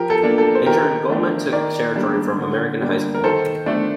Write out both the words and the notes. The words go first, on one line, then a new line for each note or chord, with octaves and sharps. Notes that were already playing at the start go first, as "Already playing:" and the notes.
In turn, Goleman took territory from American High School.
Already playing: F3 G4 A#4
A4
A#3 D4
A4
C5
D#3 G4 A#4
A3 D4
D#3 A#4 D5
G3 A#3 D4
D3
G3 A#3 D4
A#4
D#3 A4 C5
A3 D4